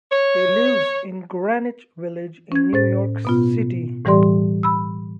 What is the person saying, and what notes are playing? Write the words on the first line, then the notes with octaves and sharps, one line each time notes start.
He lives in Greenwich Village in New York City.
C#5
C#4 G#6
A2 C5 A6
B2 B3 F4
A2 E3 G3 G4 D5 C6
B5 E6